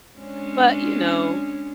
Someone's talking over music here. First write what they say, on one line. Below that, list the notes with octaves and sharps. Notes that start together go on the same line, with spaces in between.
but you know,
G#3 C#4 D4